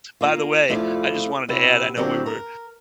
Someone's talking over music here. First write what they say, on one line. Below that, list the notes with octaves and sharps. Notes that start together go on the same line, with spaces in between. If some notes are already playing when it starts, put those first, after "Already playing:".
By the way, I just wanted to add, I know we were
A#3 F4
F3 A3 E4 F4 D5
C3 E4 F#4
D3 F#3 C4 D4 F#4 G4
A#4